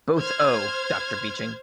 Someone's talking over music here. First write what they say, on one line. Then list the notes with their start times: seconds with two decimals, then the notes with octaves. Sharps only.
Both Oh, Doctor Beeching!
0.20 C5 F6 G#6